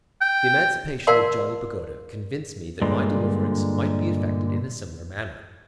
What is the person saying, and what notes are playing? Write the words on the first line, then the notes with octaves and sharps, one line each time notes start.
The emancipation of Johnny Pagoda convinced me that my deliverance might be effected in a similar manner.
G5
A#4 D5 F5 F#5 A5 C6
G2 A#2 D3 G#3